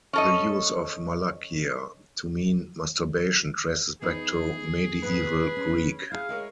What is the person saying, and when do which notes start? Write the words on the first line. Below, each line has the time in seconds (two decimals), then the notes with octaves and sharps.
The use of "malakia" to mean "masturbation" traces back to medieval Greek.
0.13 C#4 A4 D#5
4.02 E3 B3 D#4 G#4
5.03 G#2 B3 B4
5.56 C#4
6.11 E4 G#4 F5
6.29 G#3 E4 A#4 C#5